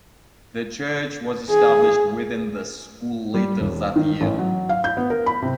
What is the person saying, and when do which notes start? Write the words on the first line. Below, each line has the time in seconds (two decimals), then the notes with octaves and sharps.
The church was established within the school later that year.
1.50 G#4
3.34 G3
3.60 E1
3.96 D#3
4.21 A1
4.39 F#3
4.69 F5
4.84 G6
4.97 B3
5.10 A#4
5.26 B5
5.42 C3